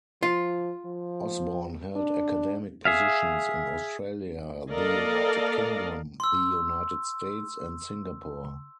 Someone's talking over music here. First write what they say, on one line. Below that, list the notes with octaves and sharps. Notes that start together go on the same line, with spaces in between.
Osborne held academic positions in Australia, the United Kingdom, the United States and Singapore.
F3 F4
F3
D4
G#4 E5 F5
A#3 A4 A#4 D5 D#5 F5
C6 E6